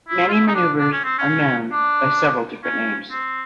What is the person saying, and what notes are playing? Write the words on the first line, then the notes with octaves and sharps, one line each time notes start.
Many maneuvers are known by several different names.
E4
F4
E4
D#4
D4
D4
C#4
C4
C#4
D4
C#4
C4